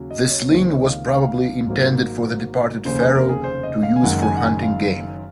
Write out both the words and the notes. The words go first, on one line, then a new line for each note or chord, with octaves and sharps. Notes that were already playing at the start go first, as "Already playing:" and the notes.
The sling was probably intended for the departed pharaoh to use for hunting game.
Already playing: D#2 C#3 F#3
D#5
C#5
C#2 C3 D#3 A#3 C5
C#5
D#5
F5
F5
G#1 G#2 F#3 A#3
F1 D#2 C#3 C5
G#4
A#4
G#4
C5
D#5
F5
G#5
F#1 F#2 D#3 G#3 F#5
G#5
F#5
G#5
F5